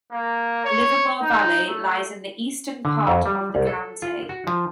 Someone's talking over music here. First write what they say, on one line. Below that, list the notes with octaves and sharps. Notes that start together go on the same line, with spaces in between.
Livermore Valley lies in the eastern part of the county.
A#3
C#5
D#4
A3
D3
F2
G3
C2
A4
F4
F#4
F3